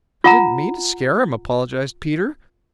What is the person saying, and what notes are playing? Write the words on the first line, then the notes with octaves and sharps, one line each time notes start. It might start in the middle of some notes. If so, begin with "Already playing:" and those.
"I didn't mean to scare him," apologized Peter.
F4 F#5 A#5